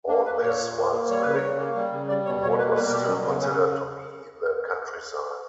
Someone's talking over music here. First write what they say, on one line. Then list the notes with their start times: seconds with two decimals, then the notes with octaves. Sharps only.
All this, whilst living in what was still considered to be the countryside.
0.08 A#3 D4
0.26 A#3 B4
0.42 A#2 C#5
0.58 A#2
0.76 A#3
0.92 A#3
1.09 G3 C#5
1.22 C#3 B4
1.35 C#5
1.42 C#3
1.58 A#3
1.75 G3
1.93 C#3
2.09 G3 D5
2.25 B2 C#5
2.42 B2 C#5
2.58 A#3 B4
2.75 G3 B4
2.86 A#4
2.91 B2 G4
3.08 F#3 C#4
3.26 C#3 B3
3.41 C#3 C#4